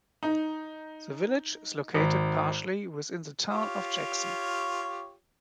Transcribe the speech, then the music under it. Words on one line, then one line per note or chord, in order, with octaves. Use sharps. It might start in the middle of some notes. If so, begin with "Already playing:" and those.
The village is located partially within the Town of Jackson.
D#4
G#1
F4 G4 C#5